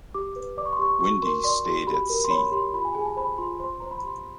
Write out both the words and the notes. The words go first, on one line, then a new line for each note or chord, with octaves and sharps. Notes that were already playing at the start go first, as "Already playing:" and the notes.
Wendy stayed at sea.
G4 D6
B4
D5 D6
C#6
C6
G4 C#6
F#4 C#6
A#4 C6
D5 C6
F#4 C6
G4 B5
A#4
C6
C#5 B5
G4 C6
F4 B5
G#5
G#4 G#5
A5
C5 B5
F4 C6
C5 C6
C5 A#5
B5
G4 C6